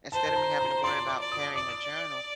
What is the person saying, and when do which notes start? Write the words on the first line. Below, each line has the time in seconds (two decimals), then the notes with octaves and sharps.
instead of me having to worry about carrying a journal,
0.12 C5 A5
0.26 A5
0.36 A#5
0.61 A#5
0.84 D5 C6
1.08 D6
1.20 D5
1.32 D#6
1.55 D5 D6